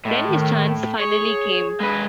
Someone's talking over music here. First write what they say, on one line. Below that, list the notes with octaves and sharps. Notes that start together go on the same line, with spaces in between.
Then his chance finally came.
A2 G#3
D#3
G#4 C#5
G#3 B4